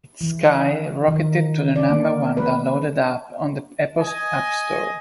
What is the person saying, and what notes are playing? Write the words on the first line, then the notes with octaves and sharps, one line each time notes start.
It sky rocketed to the number one downloaded app on the Apple app store.
E3
D#3
D5
A#3
B4
D#5 G#5